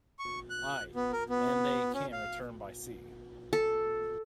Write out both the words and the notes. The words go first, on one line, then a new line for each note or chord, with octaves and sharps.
Ay, and they can return by sea.
C#6
F#6
B3
A#4
B3
C#4
F5
A4